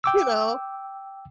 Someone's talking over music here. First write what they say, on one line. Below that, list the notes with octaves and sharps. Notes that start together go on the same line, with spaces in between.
You know?
G5 D6 E6